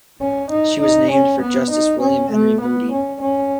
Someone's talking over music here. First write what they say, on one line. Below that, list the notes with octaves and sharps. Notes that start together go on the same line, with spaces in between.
She was named for Justice William Henry Moody.
C#4
D#4
D#4
C#4
B3
D#4
C#4
A3
B3
C#4
C#4